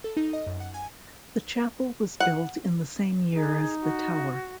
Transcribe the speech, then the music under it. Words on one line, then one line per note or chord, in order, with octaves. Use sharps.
The chapel was built in the same year as the tower.
A4
D#4
D#5
F#2
F#5
G#5
F#5
D#4 G#4
F#4